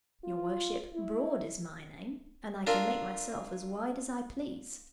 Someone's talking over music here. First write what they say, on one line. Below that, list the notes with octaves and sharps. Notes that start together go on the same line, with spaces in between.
'Your worship, Broad is my name, and I can make myself as wide as I please.'
F4
E4
D4 F4 A4 A#4